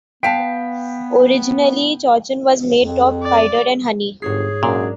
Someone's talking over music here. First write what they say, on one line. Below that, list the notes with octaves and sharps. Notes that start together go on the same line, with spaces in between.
Originally chouchen was made of cider and honey.
B3 B4 F5 G5 A5 B6 D7
F2
D5
G1 G#2 G#4 C#5 C7
F#2 A#2 D4 A#4 D5